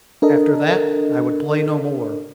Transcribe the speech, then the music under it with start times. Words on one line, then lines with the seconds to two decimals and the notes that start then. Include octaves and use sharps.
After that I would play no more.
0.22 D4 A4 A#4 D#5